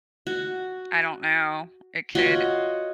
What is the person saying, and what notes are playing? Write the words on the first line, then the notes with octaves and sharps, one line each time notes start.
I don't know. It could
F#4
F4 F#4 C#5 D#5